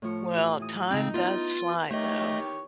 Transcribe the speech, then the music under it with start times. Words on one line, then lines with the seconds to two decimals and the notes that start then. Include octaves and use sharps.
Well, time does fly though.
0.02 A2 F3 C#6
0.36 F4 G4
0.59 E3 D#6
0.91 C#3 C4 D#4
1.14 B3 E4 F4 F5
1.91 D#3 A3 G4 C#5 D#5